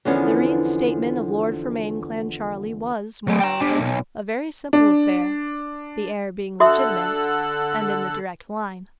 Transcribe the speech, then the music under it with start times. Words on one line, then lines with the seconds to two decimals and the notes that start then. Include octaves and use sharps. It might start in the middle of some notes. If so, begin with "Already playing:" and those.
The reinstatement of Lord Fermain Clancharlie was, moreover, a very simple affair, the heir being legitimate, and in the direct line.
0.05 E2 D3 F3 B3 C#4
3.27 F#3 A3
3.40 G5 A#5
3.61 D3 G4
3.79 B1
4.73 D4
6.60 D3 F#4 A4 E5 D#6 F#6